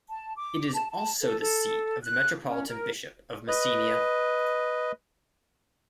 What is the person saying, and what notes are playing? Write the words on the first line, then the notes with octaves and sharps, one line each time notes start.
It is also the seat of the Metropolitan Bishop of Messenia.
A5
D6
A5
A5
A4
A4
F#6
C#4
A#4
B4 D#5